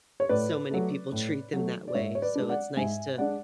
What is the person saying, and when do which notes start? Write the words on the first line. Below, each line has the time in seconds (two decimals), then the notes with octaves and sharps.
so many people treat them that way. So it's nice to,
0.20 C#5
0.29 A2 B4 D5
0.71 F#3 A3
1.12 A2
1.53 F#3 A3
1.88 D5
1.94 G#2 C#5 E5
2.15 C#5
2.22 B4 D5
2.35 G#3 D4
2.49 D5 F#5
2.77 G#2 E5 G#5
3.18 G#3 D4 D5 F#5